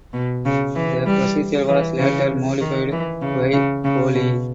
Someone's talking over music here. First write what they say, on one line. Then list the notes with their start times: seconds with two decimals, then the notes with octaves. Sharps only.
The procedure was later modified by Boley.
0.13 B2
0.45 C#3
0.75 E3
1.06 G3
1.68 E3
1.99 C#3
2.61 D#3
2.92 E3
3.22 C#3
3.53 C#3
3.84 C#3
4.14 B2